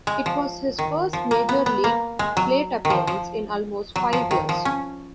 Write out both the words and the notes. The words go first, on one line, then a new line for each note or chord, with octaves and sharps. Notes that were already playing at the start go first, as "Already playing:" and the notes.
It was his first major league plate appearance in almost five years.
G#3
F3
D#3
F3
A#3
B3
B3
A#3
G#3
F#3
D#3
F3
F3
F#3
F3
D#3
F3
C#4